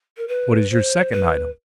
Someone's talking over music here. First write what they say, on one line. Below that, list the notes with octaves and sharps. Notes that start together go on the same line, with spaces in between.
"What is your second item?"
A#4
B4
C5
B4